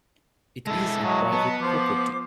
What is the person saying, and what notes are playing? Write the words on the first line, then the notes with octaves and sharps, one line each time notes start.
It is on private property.
G#3 E4 A4
F#3 D#5 A5 D#6
B3 B4 D#5 A5
F3 C5 D6